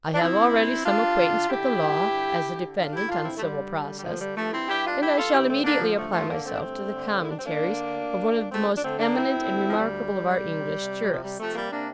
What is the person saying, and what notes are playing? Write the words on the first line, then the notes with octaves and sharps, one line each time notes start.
I have already some acquaintance with the law--as a defendant on civil process--and I shall immediately apply myself to the Commentaries of one of the most eminent and remarkable of our English jurists.
D4
D3 C4 E4
G2
G2 D4 F4
D3
D3 E4 G4
G2
D3
D3
D3 D4 F4
E4 G4
G2 D4 F4
C4 E4
A3
D3 G3
D3
G3
G2 F3
G3
G2 F3 A3
C4 E4
G2 E4 G4
D4 F4
G2 E4 G4
F4 A4
D3 E4 G4
A3 C4
D3 A#3 D4
F3
G2 F3 A3
F3 A3
D3 A#3 D4
A3 C4
D4
G2 A3 C4
D3
G2 E4
D4
C4
A#3 D4
D3
D2
D2
D2 A3 C4
D4
D3 A3 C4
A#3 D4
D2 C4 E4
D2
F3
D2 G3
D2
C3
C3
C3
F3
G3
C3 F3 A3
G3 A#3
C3 A#3 D4